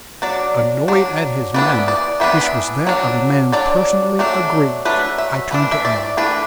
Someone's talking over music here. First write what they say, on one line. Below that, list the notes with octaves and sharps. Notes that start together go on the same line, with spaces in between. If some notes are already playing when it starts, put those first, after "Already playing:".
Annoyed at his manner, which was that of a man personally aggrieved, I turned to Ellen.
F#3 D4 D5
F#3 D4
E3 B3 D4 D5
D5
E3 B3 D4 E5
F#3 D4
F#3 D4 D5
F#3 A3 D4
F#3 A3 D4 B4
E5
E3 A3 D4
E5
D5
E3 A3 D4 B4